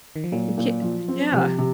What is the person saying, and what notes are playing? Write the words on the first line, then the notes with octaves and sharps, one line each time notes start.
We c yeah.
D#3
F3
A#2 F#3
A#2
F3
C4
C3 F3
C3